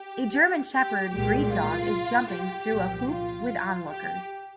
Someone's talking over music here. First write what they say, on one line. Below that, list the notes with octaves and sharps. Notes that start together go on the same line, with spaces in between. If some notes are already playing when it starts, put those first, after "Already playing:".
A German shepherd breed dog is jumping through a hoop with onlookers.
Already playing: G4
G4
C2 A#2 G#3 G4
F4
G4
C2 A#2 F3
F4
G4